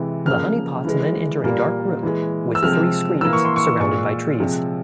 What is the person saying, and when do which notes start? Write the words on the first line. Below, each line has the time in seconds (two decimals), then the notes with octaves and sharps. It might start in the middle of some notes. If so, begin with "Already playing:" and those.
The honey pots then enter a dark room with three screens surrounded by trees.
Already playing: C3 E3 G#3
0.26 C#3 F3 A#3 F6
0.85 E3 G#3
1.44 A#2 G3 A#3
2.03 E3 G#3
2.55 E6
2.63 C3 F3 G#3 F6
3.21 E3 A#3 E6
3.33 C#6
3.45 C6
3.56 C#6
3.80 A#2 G#3 C#6
4.40 C3 F3 G#3